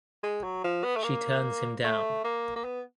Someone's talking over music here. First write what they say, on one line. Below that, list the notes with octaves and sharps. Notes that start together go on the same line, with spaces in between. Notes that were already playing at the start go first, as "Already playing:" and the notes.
She turns him down.
G#3
F#3
F3
B3
A3
A#3
A3
A#3
A#3
B3